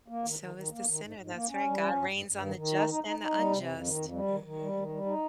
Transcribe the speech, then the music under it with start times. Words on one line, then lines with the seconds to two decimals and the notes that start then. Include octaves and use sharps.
So is the sinner, that's right, God reigns on the just and the unjust, mhm.
0.08 A#3
0.24 D#3
0.39 D#3
0.55 D#3
0.70 A#3
0.86 D#3
1.02 G#2
1.17 G#2
1.32 A#3
1.48 C#4
1.64 G3
1.79 C#4
1.95 G2
2.10 G2
2.26 G2
2.41 D#3
2.56 D#3
2.73 D#4
2.88 D#4
3.04 D#4
3.19 D#4
3.34 G3
3.50 C3
3.65 F2
3.81 D#3
3.96 F2
4.12 G3
4.28 D#3
4.43 D#3
4.59 G3
4.74 D#3
4.89 G3
5.06 D#4